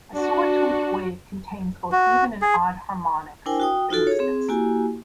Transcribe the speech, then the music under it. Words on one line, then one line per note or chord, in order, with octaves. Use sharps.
A sawtooth wave contains both even and odd harmonics, for instance.
D4 F#4
F#4
G#4
D4 E4 A#4 C5 G5 G#5
F#4 G5 D#6
D#4 F4 F#4 A4
G#4 C#5
C4 G#4
A#3 E4 F#4 G4 G#5